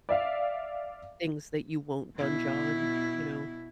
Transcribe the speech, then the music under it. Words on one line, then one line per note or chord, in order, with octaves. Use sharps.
things that you won't budge on, you know?
D5 E5 F5
B2 E4